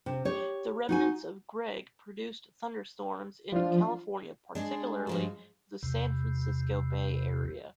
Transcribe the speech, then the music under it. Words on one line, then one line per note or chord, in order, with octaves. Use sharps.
The remnants of Greg produced thunderstorms in California, particularly the San Francisco Bay Area.
C3
G4 C#5
D#4 F#4 G#5
F3 D4 F4
G#3 D4 G#4 D5
G2 F3 F#4
E2 C3